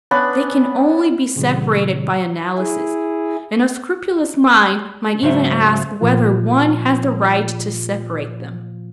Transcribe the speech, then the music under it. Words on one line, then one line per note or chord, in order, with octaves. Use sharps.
They can only be separated by analysis, and a scrupulous mind might even ask whether one has the right to separate them.
B3 C#4 D4 B5
A#2 C#3 E3 G3
E4 G#4
G#2 C#3 F#3 C5 E5
A#2 F3 F4